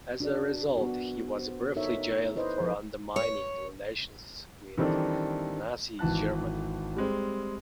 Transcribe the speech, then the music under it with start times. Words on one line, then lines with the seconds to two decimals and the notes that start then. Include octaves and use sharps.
As a result, he was briefly jailed for undermining relations with Nazi Germany.
0.20 D4 F#4 A#4 D5
0.77 B3 F#4
1.39 C5
1.76 D#4 A4 A#4 C#5 E5
2.36 E4 B4 C5 D#5
2.60 F3 A4 B4
3.16 C#5
4.78 D#3 E3 G3 C4 D4 A4
5.99 G#1 E3 A5 F#6
6.96 G3 G#3 C4